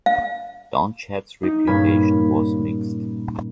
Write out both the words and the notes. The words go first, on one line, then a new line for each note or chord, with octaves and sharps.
Donnchad's reputation was mixed.
F5
D#4
G2 A#2 C#4 G#5 B5